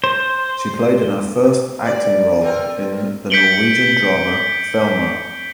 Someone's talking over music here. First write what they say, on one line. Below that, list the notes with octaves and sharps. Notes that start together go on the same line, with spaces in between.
She played her first acting role in the Norwegian drama "Thelma".
C5
D5
A3 C4 A#4
G6 B6 C#7 D7 F#7 G7